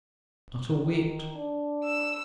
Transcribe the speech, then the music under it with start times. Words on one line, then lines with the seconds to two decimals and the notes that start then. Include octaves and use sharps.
"Not a whit."
0.77 D#3
1.34 D4
1.84 E6